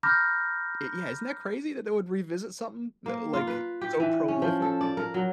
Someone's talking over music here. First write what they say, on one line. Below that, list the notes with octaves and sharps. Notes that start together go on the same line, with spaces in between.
Y yeah, isn't that crazy that they would revisit something, l like, so prolific
A#5 B5 D6 F6 G6 A#6
A#3
F4
B4
G4
E3
C#4
F3
A4
D5
A#4
F#3